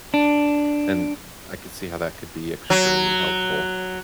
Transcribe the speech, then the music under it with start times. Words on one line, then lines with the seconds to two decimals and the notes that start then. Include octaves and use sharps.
and I could see how that could be extremely helpful.
0.14 D4
2.70 F#3